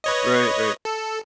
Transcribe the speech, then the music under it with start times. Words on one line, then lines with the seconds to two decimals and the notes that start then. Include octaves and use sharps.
Right, right.
0.04 B4 C#5 D#5
0.85 A4